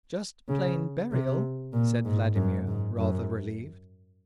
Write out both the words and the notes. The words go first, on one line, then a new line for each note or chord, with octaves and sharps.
"Just plain burial?" said Vladimir, rather relieved.
C#3
C3
A#2
G#2
F#2
G#2
F#2